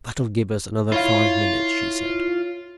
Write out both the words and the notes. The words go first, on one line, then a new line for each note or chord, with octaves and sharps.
"That'll give us another five minutes," she said.
E4 F4 C#5 F5